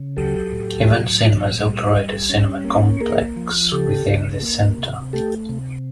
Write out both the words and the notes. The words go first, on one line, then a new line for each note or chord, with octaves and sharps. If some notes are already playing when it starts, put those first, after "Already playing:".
Event Cinemas operate a cinema complex within the centre.
Already playing: C#3
F#3 G4 A4
A2
F#3
A#2
G3
G3
C#4
A#3
A#3 G#4 A#4
F3
C#3 G4 A4
C#3
A#3
C3
A3 G4 A4
C3